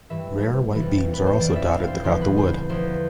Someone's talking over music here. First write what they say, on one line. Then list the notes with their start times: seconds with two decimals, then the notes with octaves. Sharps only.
Rare whitebeams are also dotted throughout the wood.
0.10 G2 E3 E5
0.75 F2 E3
1.14 B4
1.26 C5
1.40 F2 E3 D5
1.56 E5
1.72 F5
1.88 C5
2.04 E2 D3 F3 C5
2.21 B4
2.38 C5
2.69 E2 D3 F3 C5